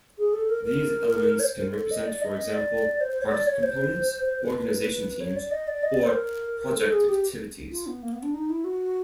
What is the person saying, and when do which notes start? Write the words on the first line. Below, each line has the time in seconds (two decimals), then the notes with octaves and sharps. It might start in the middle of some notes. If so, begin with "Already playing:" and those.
These elements can represent for example product components, organization teams, or project activities.
0.18 G#4
0.33 A4
0.49 A#4
0.65 A#4
1.39 C#5
1.43 C5
1.60 A#4
1.75 A4
1.91 D#5
2.06 D5
2.21 D#5
2.37 D#5
2.53 D5
3.01 C5
3.11 C5
3.21 C#5
3.31 D5
3.47 C#5
3.63 C5
4.25 C5
4.41 B4
5.20 C#5
5.36 D5
5.51 D#5
5.67 D5
5.83 D#5
5.93 D5
6.03 C5
6.13 A#4
6.76 A4
6.92 G#4
7.08 G4
7.71 F4
7.86 B3
8.02 A#3
8.13 B3
8.23 D4
8.34 D#4
8.49 E4
8.64 F#4